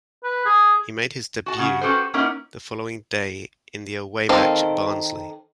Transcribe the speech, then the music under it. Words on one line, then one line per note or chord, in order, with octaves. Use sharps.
He made his debut the following day in the away match at Barnsley.
B4
G#4
F#4 A5
C#3 F#4
C#4 F#4 G4 A4 B4 C5
A#3 B3 C#4 D#4 E4 A#4
D#3 C4 A4 F5